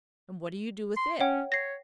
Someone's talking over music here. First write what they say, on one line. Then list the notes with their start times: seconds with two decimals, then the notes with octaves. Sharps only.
"And what do you do with it?"
0.97 C6
1.20 C#4 C#5 F#5 G5
1.52 C#5 A#6 C7